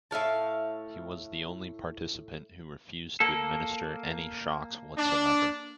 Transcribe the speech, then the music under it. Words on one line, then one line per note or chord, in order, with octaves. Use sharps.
He was the only participant who refused to administer any shocks whatsoever.
A2 E5 F5 A5
A#3 A4
D4